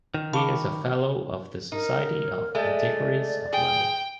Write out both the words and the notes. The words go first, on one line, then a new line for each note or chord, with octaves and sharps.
He is a fellow of the Society of Antiquaries of London.
D#3
F5 A5 B5 C#6 D6
D#4 A#4
G#3 A3 D5
G#4 G5